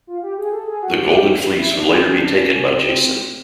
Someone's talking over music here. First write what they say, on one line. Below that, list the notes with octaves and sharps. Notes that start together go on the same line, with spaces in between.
The Golden Fleece would later be taken by Jason.
F4
G4
G#4
A4
G#4
F#4
G4
G4
E4
D4
C4
C#4
D4
C#4
C#4
C4